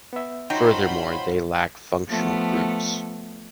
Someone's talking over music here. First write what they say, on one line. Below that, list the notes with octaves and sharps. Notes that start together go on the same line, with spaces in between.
Furthermore, they lack functional groups.
B3 E5
F#3 D#4 F4 C5 G5 B5
F3 A3 B3